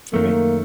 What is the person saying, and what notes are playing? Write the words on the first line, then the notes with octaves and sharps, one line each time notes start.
for me.
F#2 D#3 A3 A#3